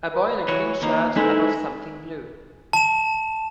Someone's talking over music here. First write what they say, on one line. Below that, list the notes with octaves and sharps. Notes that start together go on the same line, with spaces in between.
A boy in a green shirt above something blue.
B4
E3 F#4 C#5
D#2 A#3 D#4
G#3 D#4 E4 A4 B4 C5 G#5
A5 E7